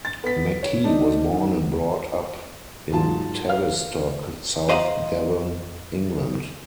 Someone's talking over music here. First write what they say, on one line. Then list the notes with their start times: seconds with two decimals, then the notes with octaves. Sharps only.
McKee was born and brought up in Tavistock, South Devon, England.
0.05 A6
0.24 B3 B6
0.63 C#5
0.84 D4 D#4
1.33 D#3
2.92 G#2 F#3 F4 A5
3.48 B4 F5 F6
4.69 C5 D#5 F5 A#5 B5